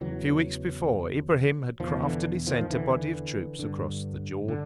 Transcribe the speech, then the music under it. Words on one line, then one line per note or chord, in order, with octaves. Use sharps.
A few weeks before Ibrahim had craftily sent a body of troops across the Jordan.
E2 C#3 E3 F#3
E2 B2 D#3 F3
D3 E3
D#3 F3
D3 E3
G2 D3
D3